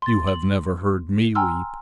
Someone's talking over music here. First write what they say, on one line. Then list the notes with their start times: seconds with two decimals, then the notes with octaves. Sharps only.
You have never heard me weep.
0.02 C6 A6
0.27 F#7
1.35 G5 G#5 A#5 C6 E6 F6